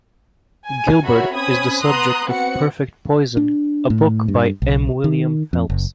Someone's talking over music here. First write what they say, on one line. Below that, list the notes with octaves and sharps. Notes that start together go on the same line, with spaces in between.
Gilbert is the subject of "Perfect Poison", a book by M. William Phelps.
G#5
F#4 A#4 C#5 E5 B5
C4 C#4 B5 D#6 G#6
B3 A#5 C6 D#6 F#6
B3 C4 F#4 F#5 C#7
D4
A2
G2
B1
D#3
F2
F#1